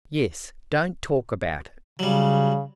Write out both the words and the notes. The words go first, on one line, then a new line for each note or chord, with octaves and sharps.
"Yes; don't talk about it."
C#3 F#3 G3